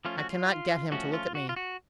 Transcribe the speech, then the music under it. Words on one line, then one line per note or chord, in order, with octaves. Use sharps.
"I cannot get him to look at me."
F3 A3 C#4 F4
F#4
F4
F3 A3 C#4 F#4
F4
F#4
F4
F#4